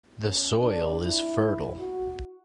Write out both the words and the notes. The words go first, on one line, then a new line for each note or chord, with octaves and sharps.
The soil is fertile.
C#4
D4
E4
F#4